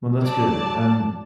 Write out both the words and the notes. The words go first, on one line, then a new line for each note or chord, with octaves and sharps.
Well, that's good. And,
F#3 D5 A5